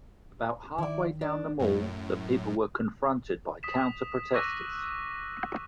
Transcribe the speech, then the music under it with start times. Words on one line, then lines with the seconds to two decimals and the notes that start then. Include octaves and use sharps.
About halfway down the Mall the people were confronted by counter-protesters.
0.78 D#3 E4 D5
1.21 D4
1.60 F#2 A2
3.63 D#6 B6 E7
4.34 C#6 D6 E6 F#6 A#6 D#7